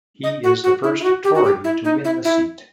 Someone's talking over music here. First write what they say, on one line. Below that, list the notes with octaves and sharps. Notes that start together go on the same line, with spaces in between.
He is the first Tory to win the seat.
D#5
F#4
F#4
E4
E4
F#4
G4
F#4
G4
E4
D#4
E4
E4